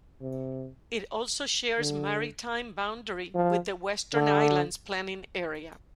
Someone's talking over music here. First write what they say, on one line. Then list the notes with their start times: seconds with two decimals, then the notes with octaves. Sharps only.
It also shares maritime boundary with the Western Islands planning area.
0.21 C3
1.79 D3
3.35 F3
4.14 D3